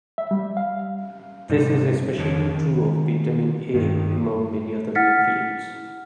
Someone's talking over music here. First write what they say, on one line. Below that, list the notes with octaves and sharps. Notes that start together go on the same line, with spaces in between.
This is especially true of vitamin A, among many other nutrients.
E5
G3
F5
G#2 C3 G3 D#4
F2 D#3 A#4 C#5 A5
D#3
G2 D#3
E4 F#5 F6 A6 B6 C#7